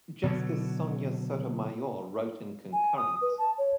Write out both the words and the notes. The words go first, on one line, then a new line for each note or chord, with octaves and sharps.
Justice Sonia Sotomayor wrote in concurrence.
B2 D3 F#3
G#5
D#6
B4
A5
C#5